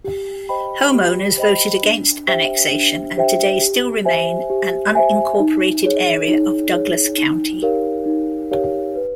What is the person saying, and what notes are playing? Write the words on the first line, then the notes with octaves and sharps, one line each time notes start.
Homeowners voted against annexation and today still remain an unincorporated area of Douglas County.
G4
C5 D#5 G5 B5
G4
C5 D#5 G5 B5
D4
G4 C5 E5 G5
D4
G4 C5 E5 G5
G4
C5 E5 G#5
G4
C5 E5 G#5
D#4
G#4 C#5
D#4
G#4 C#5
D#4
G4 A#4 C#5 F5
D#4
G4 A#4 C#5 F5
B4